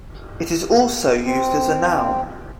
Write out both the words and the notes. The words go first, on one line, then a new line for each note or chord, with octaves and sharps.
It is also used as a noun.
C4